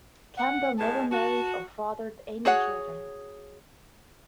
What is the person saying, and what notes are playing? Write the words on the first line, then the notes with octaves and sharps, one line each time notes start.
Campbell never married or fathered any children.
F#5
A2 G#3 B3 A5
F#4 A5
F#4 G#4 C#5 F#5